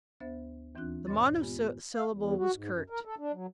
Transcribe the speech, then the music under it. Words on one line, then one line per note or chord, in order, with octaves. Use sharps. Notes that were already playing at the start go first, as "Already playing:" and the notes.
The monosyllable was curt.
D2 B3 C5 E5 A6
D#2 E3 C4 D4 F4 F#6
G2 A#2 C#5 D#5 C6 A6
G#3 B3 F4 G4
F5
E2
F#4
G#2
F#2
A#4
A4
D4
F#3